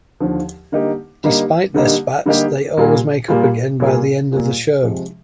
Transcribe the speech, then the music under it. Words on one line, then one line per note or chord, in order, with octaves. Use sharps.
Despite their spats, they always make up again by the end of the show.
D#2 D3 F3
D3 G3 A#3 D#4 G4
D3 G3 A#3 D#4 G4
D3 G3 A#3 D#4 G4
D3 G3 A#3 D#4 G4
A#2 G3 A#3 F4 G#4
A#2 G3 A#3 F4 G#4
A#2 G3 A#3 F4 G#4
A#2 G3 A#3 F4 G#4
C3 F3 G#3